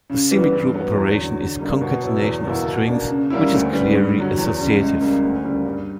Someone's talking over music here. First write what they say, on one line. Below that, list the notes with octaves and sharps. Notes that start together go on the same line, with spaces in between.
The semigroup operation is concatenation of strings, which is clearly associative.
C#3
E3 G3 B3
G2
F#3 B3
E2
D3 F#3
D3
G3 A#3 D4
B2
F#3 B3 E4
E2
B2 A#3 E4
B2
A#3 D4
C#3
G3 A#3 C#4 E4
D2
C#3 G3 B3
G2
D3 F#3
E2
C#3 G3
C#2
C#3 G3 A#3
D2
C#3 G3 A#3
G2